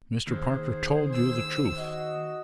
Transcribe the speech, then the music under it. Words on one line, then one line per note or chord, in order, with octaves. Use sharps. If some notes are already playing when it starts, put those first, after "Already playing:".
Mr. Parker told you the truth.
D#2 G#4 C5
E6
F#4 D#5